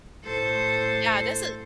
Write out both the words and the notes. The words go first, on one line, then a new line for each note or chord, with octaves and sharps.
Yeah, this i
A2 A4 C5